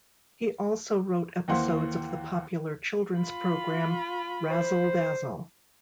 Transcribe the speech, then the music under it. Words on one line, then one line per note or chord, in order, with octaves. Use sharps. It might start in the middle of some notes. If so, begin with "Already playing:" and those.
He also wrote episodes of the popular children's program "Razzle Dazzle".
D#2 E3 A#3 C5 F#5 C6
F4 B5
C5